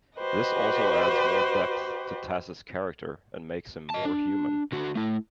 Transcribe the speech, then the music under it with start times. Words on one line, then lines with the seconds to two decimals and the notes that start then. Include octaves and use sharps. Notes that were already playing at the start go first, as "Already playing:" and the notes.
This also adds more depth to Tas's character and makes him more human.
0.18 F#4 G4 B4 C5 D#5
3.90 D#5 A5
4.05 D4
4.72 D3 F#4
4.95 A3 E4